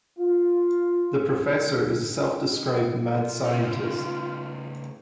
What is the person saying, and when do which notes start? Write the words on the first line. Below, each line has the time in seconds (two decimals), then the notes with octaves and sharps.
The Professor is a self-described mad scientist.
0.17 F4
1.33 C#2
1.75 D2
3.11 F4
3.45 C#3 G3 D#4
3.83 A2 D#3 E3